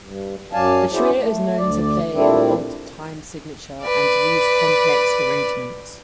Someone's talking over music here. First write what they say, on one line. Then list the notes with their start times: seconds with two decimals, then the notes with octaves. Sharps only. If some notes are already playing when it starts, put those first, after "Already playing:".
The trio is known to play in odd time signatures and use complex arrangements.
0.02 G2
0.53 F#2 F#3 D5 F5 G#5 A5
0.92 C#4 E4 F#4 G#4 C5 D5
1.17 A3
1.58 D2 D5
2.13 A#2 G3 A3 C4 D4 E4
3.82 B4 D5